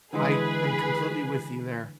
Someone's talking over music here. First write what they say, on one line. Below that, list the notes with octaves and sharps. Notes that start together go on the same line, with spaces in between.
I am completely with you there.
D3 E3 G#3 G#4 B4